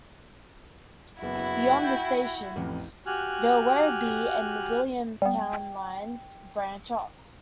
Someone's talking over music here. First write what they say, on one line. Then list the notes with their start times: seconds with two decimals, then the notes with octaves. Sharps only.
Beyond the station, the Werribee and Williamstown lines branch off.
1.22 F#1 B3 E4 F#4
1.81 G5 G6
2.56 A1 F2
3.06 F#4 G4 G#5 F6 F#6
5.22 G3 B3 G5